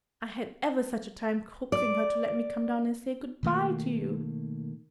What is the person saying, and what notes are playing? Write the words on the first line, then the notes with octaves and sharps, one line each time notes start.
I had ever such a time coaxing her to let me come down and say good-bye to you.
D5
B2 D#3 A3 A#3